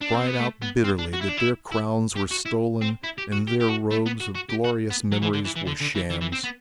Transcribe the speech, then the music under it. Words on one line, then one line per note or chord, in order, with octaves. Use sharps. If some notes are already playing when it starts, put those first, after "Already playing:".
He cried out bitterly that their crowns were stolen and their robes of glorious memories were shams.
D4
C4
B3
A3
B3
C4
D4
F#4
E4
D4
E4
E4
G4
F#4
E4
C4
E4
G4
F#4
G4
G4
F#4
A3
B3
F#4
F#4
G4
F#4
B3
F#3
E3
D3
E3
E3
D3
D3
E3
E3
E3
C4
B3